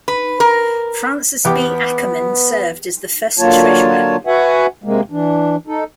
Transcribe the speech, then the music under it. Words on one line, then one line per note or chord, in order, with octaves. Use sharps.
Frances B. Ackerman served as the first Treasurer.
B4
A#4
E2 B3 G4 D6
D3 F#3 A#3 F4 C#5 A5
F#4 B4 E5 F#5 G#5
C3 G#3 A#3
E3 D4
D#4 A4